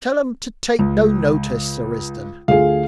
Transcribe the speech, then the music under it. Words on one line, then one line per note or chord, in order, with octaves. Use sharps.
Tell 'em to take no notice, Sir Risdon.
C#2
D2 F4 G#4 F5